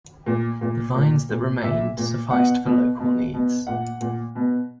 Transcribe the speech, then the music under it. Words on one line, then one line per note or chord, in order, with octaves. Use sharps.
The vines that remained sufficed for local needs.
A#2
A#2
A#2
A#2
A#2 E5
A#2
B2 F#5
B2
B2
B2
A#2 F#5
A#2
B2